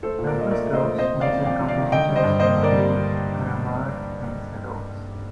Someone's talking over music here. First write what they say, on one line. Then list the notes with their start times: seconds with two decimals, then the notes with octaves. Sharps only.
Compass Group's major competitors include Aramark and Sodexo.
0.03 A3 A4 C5
0.19 A#2
0.27 A#4 D5
0.34 A#2
0.41 D#5
0.50 A3 A#4 D5
0.66 A3
0.74 C5 D#5
0.82 A#2
0.98 C3 C5 D#5
1.14 D#3
1.21 D5 F5
1.29 F2
1.45 F2 D5 F5
1.60 C3
1.68 D5 F5
1.77 D#3
1.92 D3 D#5 G5
2.09 G3
2.16 C5 D#5
2.24 G2
2.40 A#3 C5 D#5
2.56 D3
2.63 A#4 D5
2.72 G3